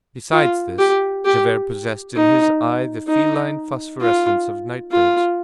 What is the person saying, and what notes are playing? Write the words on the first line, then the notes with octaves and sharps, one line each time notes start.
Besides this, Javert possessed in his eye the feline phosphorescence of night birds.
F4
G4
G4
D#4
D#4
F4
F4